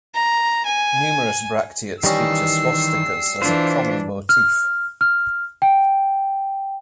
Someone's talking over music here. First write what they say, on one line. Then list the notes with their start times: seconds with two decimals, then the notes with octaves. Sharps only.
Numerous Bracteates feature swastikas as a common motif.
0.14 A#5
0.66 G#5
2.03 D#3 E3 G3 C#4 D#5 E6 C7
3.42 E3 D4 F4 C5
4.29 F6
5.01 F6
5.62 G5